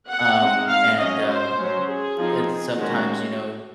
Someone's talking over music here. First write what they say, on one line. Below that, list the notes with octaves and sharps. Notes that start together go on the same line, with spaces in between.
Um, and, um, it's sometimes, you know,
F#5
G#3 C4 D#4
F5
F#3 C#4 D#5
C5
F#3 C#4
G#4
F3 C4 D#4
D#3 G#3 C#4 F#4